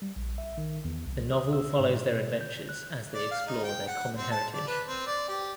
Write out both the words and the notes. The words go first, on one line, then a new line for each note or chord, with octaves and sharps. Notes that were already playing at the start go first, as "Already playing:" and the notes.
The novel follows their adventures as they explore their common heritage.
G3
A#1
E5
D#3
E2
C2
D#6
E6
G#2
B2
G6
F#6
D5
F5
D#4
G5
F#5
C4
A5
D5
B4
C4
D5
G4